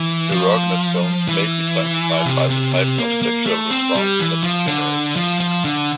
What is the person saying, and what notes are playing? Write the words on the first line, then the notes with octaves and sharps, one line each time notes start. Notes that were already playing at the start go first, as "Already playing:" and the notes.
Erogenous zones may be classified by the type of sexual response that they generate.
Already playing: E3
F3
E3
C3
C3
C3
A#3
A#3
A3
C4
G3
E3
F3
D3
F3
F3
D3